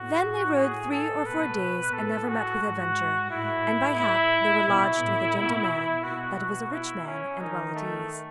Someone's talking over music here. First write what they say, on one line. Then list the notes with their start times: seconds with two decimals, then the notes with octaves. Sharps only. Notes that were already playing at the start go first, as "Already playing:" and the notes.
THEN they rode three or four days and never met with adventure, and by hap they were lodged with a gentle man that was a rich man and well at ease.
Already playing: A2 F#4
0.58 G#4
0.91 A4
1.26 B2 B4
1.93 A2 A4
2.28 F#4
2.62 G#2 F#4
3.31 A2 E4
3.99 E4
4.67 B2 E4
5.01 A2
5.35 B2
6.04 B2 F#4
6.72 E4
7.07 C#4
7.40 D#3 D#4
7.75 A3